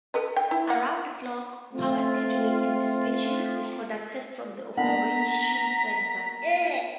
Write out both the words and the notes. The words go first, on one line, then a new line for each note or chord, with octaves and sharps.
Around-the-clock power scheduling and dispatching is conducted from the Operations Center.
A4 B4 D#5
G5
E4
F#5
A3 C4 F4
A#3 B3 D4 F#5 A#5 B6